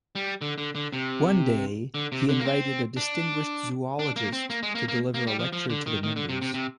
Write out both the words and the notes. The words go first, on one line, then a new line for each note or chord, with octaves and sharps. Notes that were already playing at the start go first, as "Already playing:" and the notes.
One day he invited a distinguished zoologist to deliver a lecture to the members.
G3
D3
D3
D3
C3
D3
C3
D3
A#3
C4
D4
D4
A#3
C4
A#3
G#3
A#3
A#3
A#3
G3
F3
F3
D3
D#3
D#3
D3
C3
C3
C3